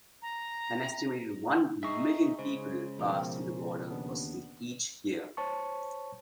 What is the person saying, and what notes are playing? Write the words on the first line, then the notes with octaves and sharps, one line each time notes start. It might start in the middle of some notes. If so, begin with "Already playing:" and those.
An estimated one million people pass through the border crossing each year.
A#5
D#4 G#4 E5 C#6 A#6 C7
C#3 G#3 C5
B2 F3 A#4
D#2 B3 D4
C5 C#5 A5 C#6